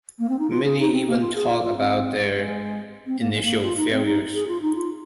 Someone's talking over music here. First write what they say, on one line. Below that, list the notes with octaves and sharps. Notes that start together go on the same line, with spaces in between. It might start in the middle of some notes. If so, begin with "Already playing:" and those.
Many even talk about their initial failures.
A#3
C4
D#4
F4
G#4
D#4
C4
A#3
F4
G#4
F4
F4
C4
G#3
G#3
C4
A#3
G#3
A#3
F4
D#4
C4
D#4
G#4
F4
D#4
F4